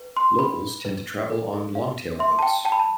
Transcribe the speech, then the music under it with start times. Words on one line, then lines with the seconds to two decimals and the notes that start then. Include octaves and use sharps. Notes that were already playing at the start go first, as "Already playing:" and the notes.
Locals tend to travel on longtail boats.
Already playing: B4
0.17 C6
0.39 B4 B5
0.85 B4
1.30 A4
1.75 F5
2.19 E5 C6
2.39 A5
2.42 G5
2.65 G5 A5
2.72 B5
2.80 A5